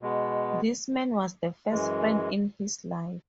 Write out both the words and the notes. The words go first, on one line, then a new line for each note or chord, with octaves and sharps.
This man was the first friend in his life.
B2 G#3 B3
F#2 E3 G#3